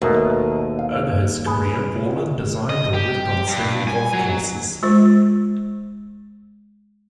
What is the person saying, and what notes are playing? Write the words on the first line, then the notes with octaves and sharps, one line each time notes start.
Over his career, Borland designed or worked on several golf courses.
D#2 B2 A3 D#5
F5
G#4 B4
D#5
G4
G2
G#5
F#3
G#3 F4 C5